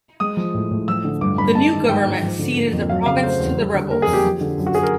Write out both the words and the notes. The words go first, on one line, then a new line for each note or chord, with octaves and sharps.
The new government ceded the province to the rebels.
G#3 D#6
F3
A2
A2
F3 E6
D3
G2 D6
G2 B5
G#3 A5
D#3
G#2 G5
G#2
F3
D3
A#3
F2
F#3 F5
C#3 F5
A3 C5
E2
G3
D3
A#3 A#4
G#4
F2
G4
F3
D3
F#2
F#4
G#4
A#4